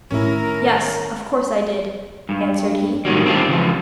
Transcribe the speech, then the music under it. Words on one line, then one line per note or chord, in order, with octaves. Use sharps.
'Yes, of course I did,' answered he.
A2 D#3 C#4 E4 A#4
G2
A2 D#3 F#3 G3
C4 D4 F4 G4
C#3 E3 F3